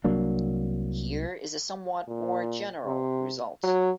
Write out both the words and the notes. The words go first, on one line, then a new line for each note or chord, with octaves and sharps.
Here is a somewhat more general result.
C2 F#3 A#3 D4
A#2
C3
F#3